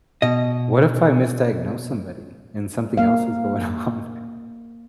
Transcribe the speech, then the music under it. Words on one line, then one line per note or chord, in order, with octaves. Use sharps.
what if I misdiagnose somebody and something else is going on?
B2 D#5
A#3 F5